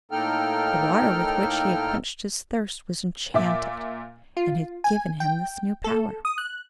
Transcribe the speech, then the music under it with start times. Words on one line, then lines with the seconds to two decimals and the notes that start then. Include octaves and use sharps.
The water with which he had quenched his thirst was enchanted, and had given him this new power.
0.11 A2 A#3 D#4 A4 G5 F6
3.34 A#2 E5 D6
4.37 F4
4.84 G#5
5.20 G5
5.84 A4
6.25 D#6
6.38 F#6